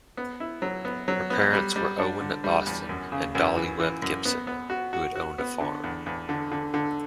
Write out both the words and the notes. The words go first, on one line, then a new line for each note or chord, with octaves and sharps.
Her parents were Owen Boston and Dollie Webb Gibson who had owned a farm.
B3
E4
F#3
B3
F#3
B3
G3
G3
D4
D3
G3
E2
F#2
C#3
F#2
E3
E3
F#2
B3
B3
F#4
F#4
F#4
B3
D3
E2
E2
D3
D3
D3